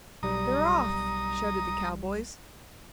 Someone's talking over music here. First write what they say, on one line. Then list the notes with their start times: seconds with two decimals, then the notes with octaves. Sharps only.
"They're off!" shouted the cowboys.
0.23 B1 G3 A#5 D#6